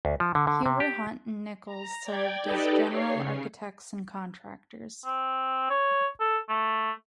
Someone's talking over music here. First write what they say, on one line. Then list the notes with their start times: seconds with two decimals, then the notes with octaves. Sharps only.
Huber Hunt and Nicols served as general architects and contractors.
0.05 D2
0.20 F3
0.35 D3
0.47 D3
0.66 C3
0.80 G4
1.66 A#5
2.04 D5 G5 G#6
2.43 D#4 G4 A4 B4 D5 D#5
2.84 C#5 C7
3.14 C#3
5.05 C4
5.70 C#5
6.20 A4
6.49 A3